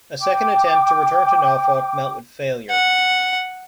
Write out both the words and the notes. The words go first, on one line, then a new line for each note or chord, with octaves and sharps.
A second attempt to return to Norfolk met with failure.
G5 D6
F#5